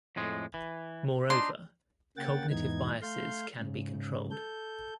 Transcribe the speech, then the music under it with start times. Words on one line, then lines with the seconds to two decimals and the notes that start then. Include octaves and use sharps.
Moreover, cognitive biases can be controlled.
0.16 F2 A2 G#3
0.54 E3
1.30 D4 D#4 C6
2.17 C#3 A#3 F#5 G5 A6
2.50 E2 G#2 E3 B3 D#4 G#6
3.02 A3 F5 C6 G6
3.60 G#2 C#3
4.31 A4 G6